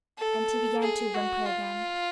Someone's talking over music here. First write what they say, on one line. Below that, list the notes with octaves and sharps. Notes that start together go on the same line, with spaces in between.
And he began to whimper again.
A4
G#4
F#4
F4